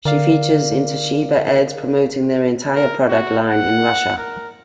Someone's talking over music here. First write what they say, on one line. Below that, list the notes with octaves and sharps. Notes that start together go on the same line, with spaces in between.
She features in Toshiba ads promoting their entire product line in Russia.
D3 A#4 D5 F5
A#4
F#4
F#5
A#4